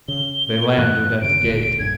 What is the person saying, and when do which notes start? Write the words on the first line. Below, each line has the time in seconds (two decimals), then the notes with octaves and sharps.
They landed at the gate.
0.08 C#3 G7
0.78 G2 E3 A#3 F#6
1.22 G2 C#3 D7
1.41 E1 D2 A#2
1.79 A#1 G2 G#6